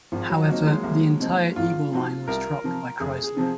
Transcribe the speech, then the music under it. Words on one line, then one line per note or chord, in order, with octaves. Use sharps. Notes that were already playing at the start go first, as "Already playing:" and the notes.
However, the entire Eagle line was dropped by Chrysler.
G#1 F3
F#3
G#2 F#3 A#3 C4 D#4
G#3
C2 A#3
C3 F3 C4 D#4
G#1 F4
G#2 F3 C4 F#4
C2 A#4
C3 F3
F1 G#4
G#4
C3 F3 C4